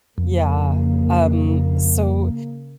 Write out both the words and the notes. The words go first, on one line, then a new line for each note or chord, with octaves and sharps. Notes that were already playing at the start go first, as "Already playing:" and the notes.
Yeah. Um, so,
F2 C#3 A#3